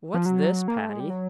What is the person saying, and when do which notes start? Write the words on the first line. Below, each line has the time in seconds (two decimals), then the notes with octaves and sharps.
"What's this, Patty?"
0.14 F3
0.26 F#3
0.68 A#3
0.78 A3
0.89 G#3
1.00 G3
1.10 F#3